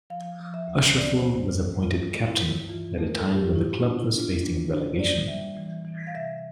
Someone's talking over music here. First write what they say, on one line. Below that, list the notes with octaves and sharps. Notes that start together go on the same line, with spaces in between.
Ashraful was appointed captain at a time when the club was facing relegation.
F3 F5
F3
E5
D2
D2 D5
C5
D2
D2
A4
G2 F4
A3
E4
G2
E3 F4
A3
A#4
A4
A3
G4
F4
A2 E4
F4
D4
E4
D4
F4
D4
D4 C5
A#3 D5
G3 E5
E3
E3
F5
C3 E5